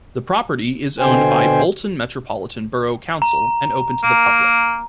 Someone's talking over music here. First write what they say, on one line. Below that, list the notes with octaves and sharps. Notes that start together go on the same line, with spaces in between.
The property is owned by Bolton Metropolitan Borough Council and open to the public.
B2 D3 C5 G5 G#5
A#5
A#3